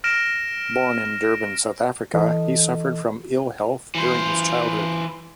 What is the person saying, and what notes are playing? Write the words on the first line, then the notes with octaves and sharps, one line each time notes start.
Born in Durban, South Africa, he suffered from ill-health during his childhood.
F6 A#6 D7 E7
E3 A4 D#5
E3 C5